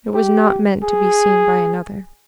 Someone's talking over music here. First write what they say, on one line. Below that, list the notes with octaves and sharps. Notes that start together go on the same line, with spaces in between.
It was not meant to be seen by another.
G4
G#4